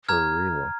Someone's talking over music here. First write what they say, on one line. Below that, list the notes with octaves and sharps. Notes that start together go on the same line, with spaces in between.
for real.
A#5 F6 G#6